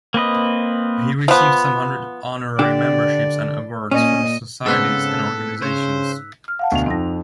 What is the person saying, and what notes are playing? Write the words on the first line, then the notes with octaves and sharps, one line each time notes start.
He received some hundred honorary memberships and awards from societies and organizations.
A#3 C4 B4 D#5
F3 B3
D3 D4 G4 D5
A#2 C#4 D#5
G#2 C#3 B3 C4 A4 E6 F#6 B6
C#3 C5 C#5
F6
F5 F#5 A5
D2 B2 F7
F2 F3 C4 D#4 A#6